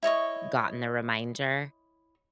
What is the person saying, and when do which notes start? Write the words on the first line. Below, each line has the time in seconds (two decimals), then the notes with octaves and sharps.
gotten the reminder
0.03 E4 C#5 D#5 C#6